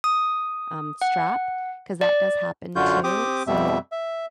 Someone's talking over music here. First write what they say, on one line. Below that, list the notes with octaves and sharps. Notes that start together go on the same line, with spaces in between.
um, strap, 'cause that does happen too, so,
D#6
F#5
D5
F#2 D3 F4 F#4 G6
C4 G4 D6 D#6
F2 B2 G3 E5
E5